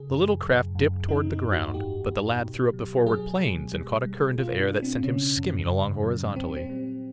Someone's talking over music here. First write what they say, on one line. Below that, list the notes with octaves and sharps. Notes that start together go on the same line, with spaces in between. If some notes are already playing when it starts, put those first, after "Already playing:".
The little craft dipped toward the ground, but the lad threw up the forward planes, and caught a current of air that sent him skimming along horizontally.
Already playing: C#3 G#4
F#2
F#2
F#2
E3 D#4
D#4
G#2
F#4
G#2 G4
G#2
B2
F#3
F#3 G#4
B2
G3
G3
B2 F4
D4
B2
C4
C#3 C#4
F#2
C#3
F#3
A#2 C4
C4
G3